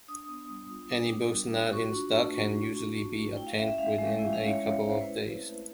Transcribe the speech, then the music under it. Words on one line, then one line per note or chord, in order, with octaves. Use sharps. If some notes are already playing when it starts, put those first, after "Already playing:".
Any books not in stock can usually be obtained within a couple of days.
D4 D#6
B3
G3
F4
D4 D6
B3
G3
F4
F#4 C#6
D4
A3
A3
F#4
D4
A3
A3
E4 G5
F5
C#4 E5
E5
G#3 F5
G#3
E4
F5
C#4
C#5
G#3
G#3 C#5
C5
E4 B4
C4
A3